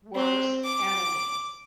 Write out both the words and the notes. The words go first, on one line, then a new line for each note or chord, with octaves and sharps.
worst enemies
C4
D6